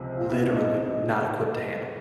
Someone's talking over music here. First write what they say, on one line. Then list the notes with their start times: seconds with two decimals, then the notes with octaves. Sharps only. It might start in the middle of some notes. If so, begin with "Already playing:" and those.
literally not equipped to handle,
Already playing: C#2 C3 F3
0.17 F4
0.29 E4
0.49 D4
0.55 D#4
0.82 D#4